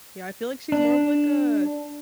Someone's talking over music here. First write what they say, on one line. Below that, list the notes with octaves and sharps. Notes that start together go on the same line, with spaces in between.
Yeah, I feel, like, she's more of, like, a
D4